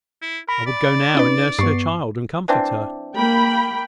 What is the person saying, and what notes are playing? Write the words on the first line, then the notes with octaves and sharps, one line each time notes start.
I would go now and nurse her child, and comfort her.
E4
A#4 B5
D5
C#4 D#4 B4
G2 B3 C#6 C7
E3 C4 D4
A#3 G5 B5